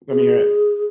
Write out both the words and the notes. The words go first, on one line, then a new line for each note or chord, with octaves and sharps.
Let me hear it.
G#4